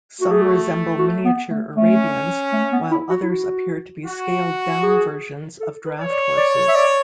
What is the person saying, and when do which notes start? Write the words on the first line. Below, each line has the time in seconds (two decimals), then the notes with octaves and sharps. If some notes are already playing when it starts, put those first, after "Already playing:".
Some resemble miniature Arabians, while others appear to be scaled-down versions of draft horses.
0.21 A3 F#4
0.31 G#4
0.42 F#4
0.98 F#4
1.25 B3
1.50 A3
1.76 A3 C#4
2.53 A3
2.72 B3
2.91 E4
3.10 F#4
3.23 E4
3.30 F#4
4.06 F#4
4.83 G#4
5.60 A4
5.86 B4
5.99 C#5
6.12 D5
6.37 D5
6.68 E5
6.75 D5